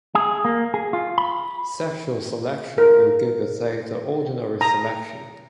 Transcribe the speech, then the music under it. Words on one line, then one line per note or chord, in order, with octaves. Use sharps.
Sexual selection will give its aid to ordinary selection.
G#4
A#3
G#4
F4
B5
A#4
A#5